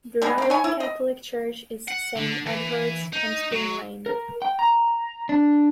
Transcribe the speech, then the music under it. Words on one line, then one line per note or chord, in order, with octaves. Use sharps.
The Roman Catholic church is Saint Edward's, on Spring Lane.
G3 G#3 B3
A#3 C4
C#5 G#5
E4
D#5
F#5
D3
E3
D#4
F#3
A#4
G5
A#5
D4